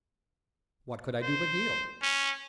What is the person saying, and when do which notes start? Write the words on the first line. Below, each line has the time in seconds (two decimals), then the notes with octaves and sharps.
What could I do but yield?
1.23 C5
2.03 C#4